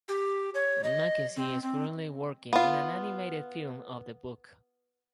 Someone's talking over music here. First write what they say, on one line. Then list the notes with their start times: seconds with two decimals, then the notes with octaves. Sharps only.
Mackesy is currently working on an animated film of the book.
0.09 G4
0.54 C#5
0.84 D#5
1.36 C4
1.63 C4
2.53 B3 F4